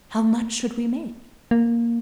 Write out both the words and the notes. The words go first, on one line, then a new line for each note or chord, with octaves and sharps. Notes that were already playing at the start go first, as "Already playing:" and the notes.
"How much should we make?"
A#3